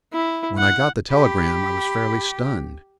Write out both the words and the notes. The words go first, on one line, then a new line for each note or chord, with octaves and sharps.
When I got the telegram I was fairly stunned.
E4
F#5
G4 B5